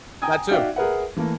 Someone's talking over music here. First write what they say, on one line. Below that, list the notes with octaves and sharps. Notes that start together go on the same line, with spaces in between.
that too.
G5 G#5 A#5 D#6 G#6
D#4 F#4 D5 E5 F5 G5
G#4 A#4 B4 E5 F#5
E3 A3 A#3